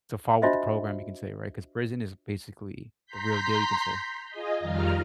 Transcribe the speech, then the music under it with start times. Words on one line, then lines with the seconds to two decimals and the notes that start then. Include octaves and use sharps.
to follow with the program, you can say, right? 'Cause prison is basically the real deal, you can say.
0.42 D4 F4 F#4 C5 D#5 E5
3.06 A#5 C6 G6 B6
4.30 F4 G#4 D#5
4.60 F2 D#3 G3 F4 A#5 F6